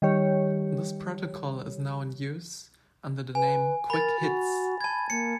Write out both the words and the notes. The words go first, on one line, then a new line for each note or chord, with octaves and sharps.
This protocol is now in use under the name 'Quick Hitz.
D#3 G3 G4 C#5
B4 G#5
A#4 B5 A6
F#4
A5 B5 G#6
A#3 C#7